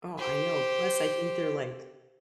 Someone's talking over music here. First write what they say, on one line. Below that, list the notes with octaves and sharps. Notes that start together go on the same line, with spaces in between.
Oh, I know, plus, I think they're, like,
G4 C5